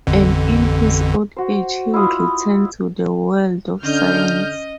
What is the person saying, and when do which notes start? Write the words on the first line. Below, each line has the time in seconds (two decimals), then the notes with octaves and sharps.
And in his old age he would return to the world of science.
0.07 A1 F2 D3
1.36 F#4 C5
1.93 E4 F4 D#5 B5
3.83 D3 C#4 D#5 F6 G6